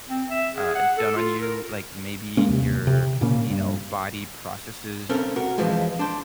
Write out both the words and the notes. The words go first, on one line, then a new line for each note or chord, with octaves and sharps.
uh, done on you, like, maybe your you know body processes
C4
E5
G#4
F#5
A4
F4
A#4
G#3 A#3 C#4
D#2 C3
C3
A#2 C#3 A#3
G2
B1 C4 C#4 A4 A#4
F#4 A#4
F2 E3 F3 G#3
D4 C5